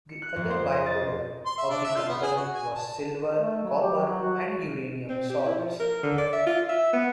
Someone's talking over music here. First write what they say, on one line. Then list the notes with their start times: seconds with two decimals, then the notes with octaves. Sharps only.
The other byproduct of the company was silver, copper, and uranium salts.
0.09 C#7
0.22 F#6
0.36 F2
0.50 C5
0.72 D#5
0.86 A6
1.46 C6
1.58 E5
1.70 D4
1.84 E5
1.96 F4
2.09 B3
2.23 G#4
2.37 F#4
2.54 G#5
2.74 A5
3.37 A3
3.63 F#3
3.81 G4
3.99 F#3
4.22 F#4
5.09 C4
5.29 G4
5.45 E4
5.58 F3
5.80 A#4
6.03 D3
6.18 D5
6.33 E5
6.46 F4
6.69 E5
6.93 B3